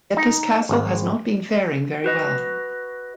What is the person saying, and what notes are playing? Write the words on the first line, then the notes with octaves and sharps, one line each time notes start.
Yet this castle has not been faring very well.
D#4
G#1
F#4 B4 D#5